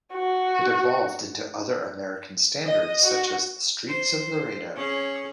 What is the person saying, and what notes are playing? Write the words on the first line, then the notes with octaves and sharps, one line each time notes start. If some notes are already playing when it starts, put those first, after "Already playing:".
It evolved into other American standards such as The Streets of Laredo.
F#4
D#5
F#4
C5
C#4 G#4